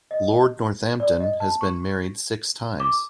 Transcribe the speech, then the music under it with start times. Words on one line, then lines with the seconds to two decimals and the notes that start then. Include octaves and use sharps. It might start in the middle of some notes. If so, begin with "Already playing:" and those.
Lord Northampton has been married six times.
0.11 D#5
1.00 D5
1.20 D#5
1.40 A5
1.61 C#6
2.80 D6